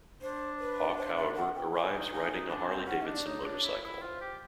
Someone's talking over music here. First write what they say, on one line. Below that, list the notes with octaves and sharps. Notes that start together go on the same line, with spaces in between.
Hawk, however, arrives riding a Harley Davidson motorcycle.
D4 C5
B4
C5
E5
F#5
G5
G#5
D#4
D#4 G#5
D#4
D4 G#5 B5
C4
C#4 F#5
D4 D#5
D5
D#4 C#5
D4
E4
E4
F4 C5
G4